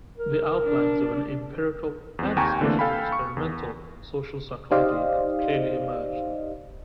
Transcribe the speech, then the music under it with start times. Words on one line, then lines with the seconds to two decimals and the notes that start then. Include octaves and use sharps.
The outlines of an empirical, and especially an experimental, social psychology have clearly emerged.
0.17 A#4
0.66 D4
2.19 E2 C4
2.37 D#2 G5 G#5 A#5 C#6
2.61 D3 E3 A3 A#3 C4 D4
2.79 A4 F5 G5 G#5 B5
3.12 C#6
3.37 E2
4.71 D#4 G4 C5 D5 D#5 F5